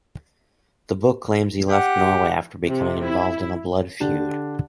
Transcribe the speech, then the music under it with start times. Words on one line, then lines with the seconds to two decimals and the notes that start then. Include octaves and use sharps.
The book claims he left Norway after becoming involved in a blood feud.
1.70 G4 F#5
2.68 C3
3.03 E4
4.00 D3 D4 G4